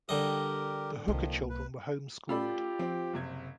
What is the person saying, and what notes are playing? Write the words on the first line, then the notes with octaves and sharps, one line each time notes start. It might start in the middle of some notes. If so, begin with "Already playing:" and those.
The Hooker children were home-schooled.
D3 G3 G4 A#4 D#5
C2 D#3 F3 A#3
B4
A3 C#4 F4 G4 A4 D5 B5 E6
F3 C4
F#1 C3 G#6